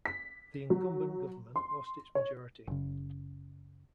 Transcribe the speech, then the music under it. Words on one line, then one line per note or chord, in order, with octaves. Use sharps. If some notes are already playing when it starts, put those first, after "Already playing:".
The incumbent government lost its majority.
B6
F#3
C6
C#5
F#1 C#3